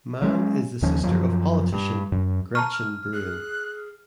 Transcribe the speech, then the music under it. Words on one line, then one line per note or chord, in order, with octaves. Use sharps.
Mann is the sister of politician Gretchen Brewin.
F#3 G#3 C#4
D#2 D#3 F3 C#4
F#2 F3 F#3
G2
F#2
A5 A#5 C#6 F6
G#4 F#6